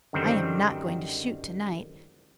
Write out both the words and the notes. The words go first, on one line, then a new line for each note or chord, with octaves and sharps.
I am not going to shoot to-night.
F#2 D3 D#3 G3 C4